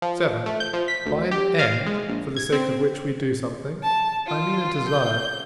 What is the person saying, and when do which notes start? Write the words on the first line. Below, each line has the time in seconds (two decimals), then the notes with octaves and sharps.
VII. By an end, for the sake of which we do something, I mean a desire.
0.02 F3
0.46 A3
0.60 G6
0.74 F3
0.88 B6
1.06 D2
1.31 G4
1.59 F5
1.86 G#3
2.09 A#1
2.36 G#6
2.52 C4
3.83 A5
4.27 F4
4.89 G6